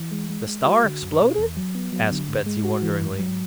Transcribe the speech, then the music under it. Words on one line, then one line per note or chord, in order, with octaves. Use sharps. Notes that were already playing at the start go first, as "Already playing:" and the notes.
"The star exploded?" asked Betsy wonderingly.
Already playing: E3
G#3
G#3
G#3
F#4
D3
F#2
B2
E2
F#3
B3
F#3
D3
G#2
G#3
F#4
E3
G#2
F#3